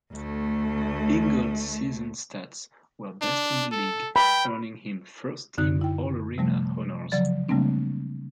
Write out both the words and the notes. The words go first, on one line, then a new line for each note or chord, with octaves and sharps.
Ingold's season stats were best in the league, earning him First Team All-Arena Honors.
D2 A3
D4
A4
G5 B5
F#2 D3 D#4 F#6
E4 G5
C3 F3 G3 A3
C#3 F3 F#3 D5 A6
C#3 G3 A3 A#3 C4 D4